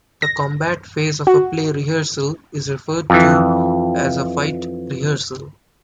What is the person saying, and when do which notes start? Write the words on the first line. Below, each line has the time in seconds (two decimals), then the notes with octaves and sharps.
The combat phase of a play rehearsal is referred to as a "fight rehearsal".
0.22 A#6
1.27 F#4
3.10 F2 E3